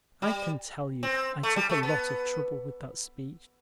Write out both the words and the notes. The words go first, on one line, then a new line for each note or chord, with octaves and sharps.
I can tell you I took a lot of trouble with that speech.
G3
C4
A3
G3
A3
B3